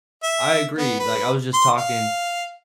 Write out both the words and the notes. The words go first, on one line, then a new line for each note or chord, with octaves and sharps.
I agree, like, I was just talking
E5
B3
B4
C6
F5